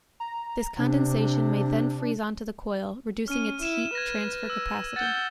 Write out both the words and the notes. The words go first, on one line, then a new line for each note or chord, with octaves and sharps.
This condensation may then freeze onto the coil, reducing its heat transfer capacity.
A#5
C3 D4
C#4 F6 D#7
E4 E7
B4 G#6 A#6
E6
F#5 G6 A6